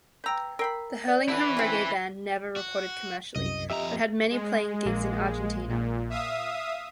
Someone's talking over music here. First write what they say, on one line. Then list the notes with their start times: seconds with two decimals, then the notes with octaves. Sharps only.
The Hurlingham Reggae Band never recorded commercially, but had many playing gigs in Argentina.
0.24 B4 G5 A#5 E6 G6
0.59 A#4 G5 B5 E6 C7
1.08 D5
1.28 D3 E4 B4
1.57 C#3 C4
2.56 F#4
3.36 C2 F#2 D#5
3.70 F2 G4 D#5 E5 A#5
4.30 G#3
4.85 A#1 A#3
5.68 A#2
6.09 E5 F5 D#6